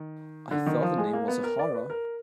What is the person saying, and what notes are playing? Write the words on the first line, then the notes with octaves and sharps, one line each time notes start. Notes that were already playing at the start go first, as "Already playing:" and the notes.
I thought the name was a horror.
Already playing: D#3
D3
D#3
F3
G#3
A#3
B3
A#4
D5
B4
A#4